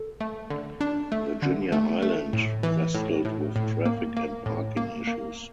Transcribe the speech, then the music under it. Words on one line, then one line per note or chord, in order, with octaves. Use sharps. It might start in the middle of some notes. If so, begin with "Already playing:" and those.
Virginia-Highland wrestled with traffic and parking issues.
Already playing: A4
A3
D3
D4
A3
D3
A3
A3
A2
E3
A2
A2
A2
A#3
A#3
A2
A#3
A#3